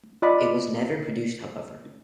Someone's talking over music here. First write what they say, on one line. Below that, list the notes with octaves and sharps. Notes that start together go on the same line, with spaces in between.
It was never produced however.
F4 D5 D#5 B5